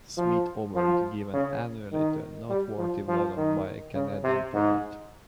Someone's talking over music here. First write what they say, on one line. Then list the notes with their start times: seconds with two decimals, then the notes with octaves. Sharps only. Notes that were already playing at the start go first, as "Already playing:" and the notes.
Smith Award, given annually to a noteworthy volume by a Canadian poet.
0.17 F3
0.75 F3
1.33 C#3
1.92 D#3
2.50 G3
2.78 F3
3.08 F3
3.36 D#3
3.94 C#3
4.24 C3
4.53 G#2